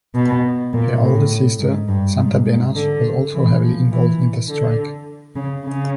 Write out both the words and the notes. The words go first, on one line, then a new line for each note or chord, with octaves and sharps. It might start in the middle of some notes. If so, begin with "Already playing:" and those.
Her older sister, Santa Benash, was also heavily involved in the strike.
B2
A#2
A2
G#2
G2
G#2
G#2
D3
E3
F3
E3
D3
C#3
C#3